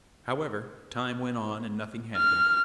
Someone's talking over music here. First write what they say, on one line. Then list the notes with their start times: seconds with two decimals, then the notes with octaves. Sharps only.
However, time went on and nothing happened.
2.17 F6